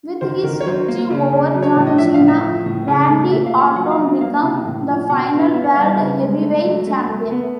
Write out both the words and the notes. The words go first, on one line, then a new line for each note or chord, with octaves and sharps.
With his victory over John Cena, Randy Orton became the final World Heavyweight Champion.
D#3 C5
D#3 A#4
C#5
F#3 C5
A#3
C#3
C#3
F#3
C#5
A2 D5
D#5
F3 E5
F5
A2
E5
F3
A2
C#3
A3
A#2 E5
F5
A#2
F#5
F#3 F#5
F5
F#3
D5
A#3 F5
C3
A2
F3
B2 F#5
F#5
B3
F5
B3 E5
F#5
G3 F5
C5
C#3 B4
G#3
A3
F#3
A3
A3
B3